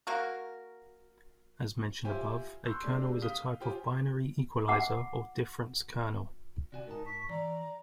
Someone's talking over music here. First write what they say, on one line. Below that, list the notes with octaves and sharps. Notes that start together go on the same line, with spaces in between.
As mentioned above, a kernel is a type of binary equaliser, or difference kernel.
A#3 F#4 A#4
E4 F4 G4 C5 G#5
C6 C#6 E6 F#6 G6
C3 G#3 D4
F5 D#6 F6 B6 G7
F4 G4 C5 G5 G#5
F#5 D6
C3 F#4 D5 G#5
G#2 D#4 A#4 A5
C#6 B6
E3 D5 A#5